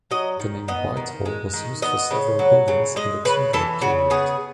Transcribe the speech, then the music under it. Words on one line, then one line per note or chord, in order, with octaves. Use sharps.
The name Whitehall was used for several buildings in the Tudor period.
F#3 D#5
D#3
B3 D#5
D#3
G#3
D#3
B3 D#5
C#3
F#3
C#3
G#3 D#5
C#3 B4
E3 A4
C#3 F#4
B3 G#4